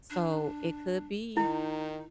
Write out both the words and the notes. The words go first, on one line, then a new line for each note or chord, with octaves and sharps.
So, it could be,
D4
D#3 D#4 E4